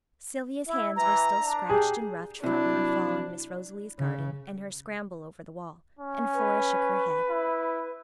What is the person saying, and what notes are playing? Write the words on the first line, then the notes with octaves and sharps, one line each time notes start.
Sylvia's hands were still scratched and roughed from her fall in Miss Rosalie's garden and her scramble over the wall, and Flora shook her head.
E4
E3 A#5
D4
G4 G#4
C3 F#3 D4 E4
C#3
C#4
B4
E4